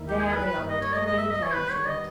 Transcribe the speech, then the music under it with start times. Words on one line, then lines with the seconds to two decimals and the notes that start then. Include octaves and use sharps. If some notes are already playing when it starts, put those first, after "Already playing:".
There they are eternally playing truant.
Already playing: D#2 D#3 A#3 E4
0.08 G4
0.20 G#4
0.32 B4
0.45 B4
0.57 G2 G3 A#3
0.69 D#5
0.82 C#5
0.93 D#5
1.06 D#5
1.18 E5
1.31 D#5
1.43 C#5
1.54 D#3 G3 B3 B4
1.71 C#5
1.87 D#5